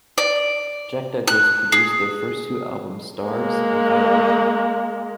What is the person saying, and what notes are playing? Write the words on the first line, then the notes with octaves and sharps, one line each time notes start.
Jack Douglas produced their first two albums "Starz" and "Violation".
D5
F#6
G#4
G#3 A#3